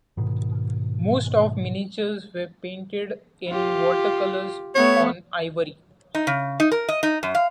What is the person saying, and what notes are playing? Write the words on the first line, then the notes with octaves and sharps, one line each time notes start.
Most of miniatures were painted in watercolors on ivory.
G#2 B2 D#3
F4 G4
A3 B3 C#5
D#4
C#3
D#4
A#4
D#5
D#4
F#2
F5